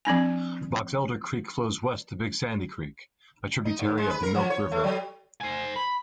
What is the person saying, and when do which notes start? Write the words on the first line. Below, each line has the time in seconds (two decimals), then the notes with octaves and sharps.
Boxelder Creek flows west to Big Sandy Creek, a tributary of the Milk River.
0.05 F3 C4 D4 G#5
3.65 D#4
3.79 D#2
3.98 G#3
4.10 B4
4.23 A#4
4.35 F3
4.50 C#5
4.72 A3
4.84 F#3
5.40 C5 G#5
5.76 B5